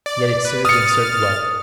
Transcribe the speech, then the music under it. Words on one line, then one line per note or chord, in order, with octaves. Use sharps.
Yet it served and served well.
D5
B4
D#6 F6 A6 C#7